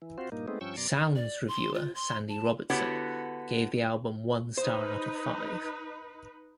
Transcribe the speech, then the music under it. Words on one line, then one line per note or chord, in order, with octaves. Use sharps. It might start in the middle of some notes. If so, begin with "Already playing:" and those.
"Sounds" reviewer Sandy Robertson gave the album one star out of five.
E3
C4 F4 F#4 C5
G2 A#2 A#3 D#4
G#3 A3 B3 C4 D#4
G2 F3 C#4 G5 C#6 E6
F#2 B2 D5 A#5 C6 D6
D5
C6
F4
C6
A5
D3 B3 E4 F#4 G4 C#5
D#4 B4 C5